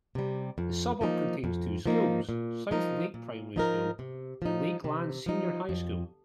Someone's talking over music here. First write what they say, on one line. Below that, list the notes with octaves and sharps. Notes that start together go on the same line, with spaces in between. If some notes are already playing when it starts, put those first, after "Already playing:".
The suburb contains two schools: South Lake Primary School and Lakeland Senior High School.
C3 G3
F2
F3 A#3 D#4
F2
F3 A#3 D#4
A#2
F3 D#4 A#4
A#2
F3 D#4 A#4
C3
F3 D#4
C3
F3 D#4
F2